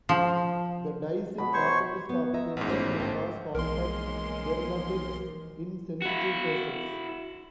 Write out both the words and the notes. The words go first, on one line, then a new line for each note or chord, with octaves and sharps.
The dyes in carbonless copy papers may cause contact dermatitis in sensitive persons.
F3
B2 B5
C5 C#5 C#6
B3
D#5 E5 A#5
A1 G#2 B3
A3 C#4 E4 C5
D3 C5 G5 A5
B1 E3 G#3 A#3 A#4 C6
E4 F#4